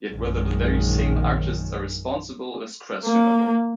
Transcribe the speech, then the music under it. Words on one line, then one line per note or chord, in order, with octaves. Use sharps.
Yet whether the very same artists are responsible is questionable.
A#1 F#2 D#3 G#3
A#3